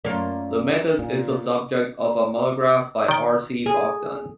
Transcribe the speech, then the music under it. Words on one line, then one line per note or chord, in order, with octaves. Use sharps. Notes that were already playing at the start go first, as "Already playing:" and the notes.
The method is the subject of a monograph by R. C. Vaughan.
F#2 A3 A#3 F4 D5
A#2
D#3 G5
G#4